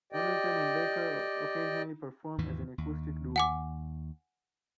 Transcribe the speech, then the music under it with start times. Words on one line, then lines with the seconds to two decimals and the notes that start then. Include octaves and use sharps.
Hamilton and Baker occasionally perform as an acoustic duo.
0.13 G4 D5 D#5 G5
2.38 D#2 G#2 E3
2.78 D#2
3.36 F#5 G#5 D6